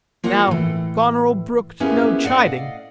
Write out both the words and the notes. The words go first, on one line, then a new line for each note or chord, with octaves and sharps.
Now Goneril brooked no chiding.
A#3 F4 C#5 D#5 F#5
A2 E3
A#3 B3 C#4 E4 G4 G#4
A2 D5 D#5 F5 F#5